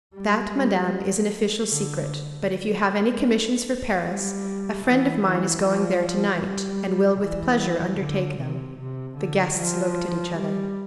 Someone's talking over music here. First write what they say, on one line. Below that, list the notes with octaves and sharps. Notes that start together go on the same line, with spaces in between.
"That, madame, is an official secret; but if you have any commissions for Paris, a friend of mine is going there to-night, and will with pleasure undertake them." The guests looked at each other.
G3
G3
D3
G3
E3
E3
F3
G3
E3
D3
C3
C3
D3
F3
G3